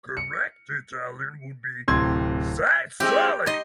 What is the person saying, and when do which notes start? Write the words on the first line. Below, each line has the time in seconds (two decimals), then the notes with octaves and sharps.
Correct Italian would be "sei soli".
0.17 C#7
1.88 D1 C3 C6 G#6
3.00 G#3 C4 E4 G4
3.46 D#4 D#5 C6